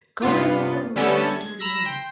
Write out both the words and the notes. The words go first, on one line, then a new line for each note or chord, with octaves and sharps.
"Go in the room, we're watching Dirty Harry."
G2 C3 B3 F4
D3 G3 B3 C#4 E4 A4
G#6
A#5 B5 E6 A#6 B6
G5 C6